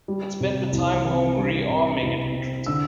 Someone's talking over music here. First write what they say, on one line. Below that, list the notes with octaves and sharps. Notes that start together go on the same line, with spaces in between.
It spent the time home re-arming and recruiting.
G3
C3
C2
C4
G3
C3
C2
C4
D3 E6